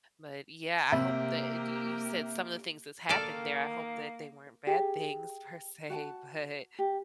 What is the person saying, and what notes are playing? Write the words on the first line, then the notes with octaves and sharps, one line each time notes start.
but, yeah, I hope that d y you said some of the things that's happened there, I hope that they weren't bad things per se, but
C3 A#3 G4 E5 B5
D#3 A#3 A4 D5 F5
G4 G#4
F#4 F#5 G#5 A5
G4